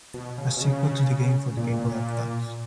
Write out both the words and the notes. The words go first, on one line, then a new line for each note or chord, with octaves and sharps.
A sequel to the game for the Game Boy Advance.
B2
C#3
B2
C#3
A#2
A#2
A#2